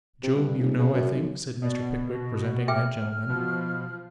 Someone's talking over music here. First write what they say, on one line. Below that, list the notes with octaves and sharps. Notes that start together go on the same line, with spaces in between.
'Job you know, I think?' said Mr. Pickwick, presenting that gentleman.
C3
G2
D#1
C#3
F#2
B1
B2 D5
F#4
G#4 E5 G5 F6
B2 F3